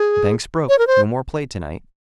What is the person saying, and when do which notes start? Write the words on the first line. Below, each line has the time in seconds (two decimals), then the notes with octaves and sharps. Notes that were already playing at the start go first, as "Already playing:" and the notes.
The bank's broke; no more play to-night.
Already playing: G#4
0.69 C#5
0.79 A#4
0.87 C5